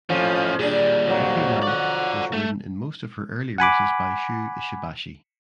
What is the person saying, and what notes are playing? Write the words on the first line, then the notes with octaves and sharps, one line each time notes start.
Lucky Lilac was ridden in most of her early races by Shu Ishibashi.
F2 A2 F3 C#4
A#2 G3 D4 G#4
F2 F#3
D5 F#5
A3
F#5 G#5 B5 D6